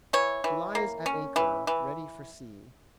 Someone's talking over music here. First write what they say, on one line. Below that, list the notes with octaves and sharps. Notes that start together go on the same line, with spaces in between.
She lies at anchor, ready for sea.
E3 C#5
E3
A#3
C#4
E3
E3